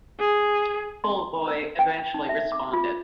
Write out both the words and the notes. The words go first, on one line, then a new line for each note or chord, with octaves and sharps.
Polevoy eventually responded.
G#4
C6
A#4
G5
D#4
E5
D6
F4